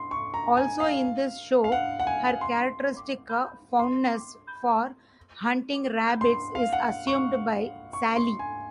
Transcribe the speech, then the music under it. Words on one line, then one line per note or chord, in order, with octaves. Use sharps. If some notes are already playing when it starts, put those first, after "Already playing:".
Also in this show, her characteristic fondness for hunting rabbits is assumed by Sally.
Already playing: C6
C#6
A#5
G#5
F5
F5
F#5
F#5
G#5
C6
C6
C6
F5
F#5
C#6
C#6
C6
G#5